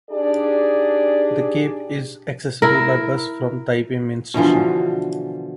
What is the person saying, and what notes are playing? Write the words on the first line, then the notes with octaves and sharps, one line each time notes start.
The cape is accessible by bus from Taipei Main Station.
D4 D#4 G4 G#4 D5
E4 A#4
B2 D3 E3 F3